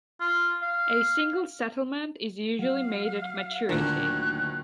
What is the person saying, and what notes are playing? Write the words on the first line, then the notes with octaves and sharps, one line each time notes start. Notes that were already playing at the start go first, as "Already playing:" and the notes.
A single settlement is usually made at maturity.
F4
F5
F#3 F5
D2 A#2 D#3 D4 F#6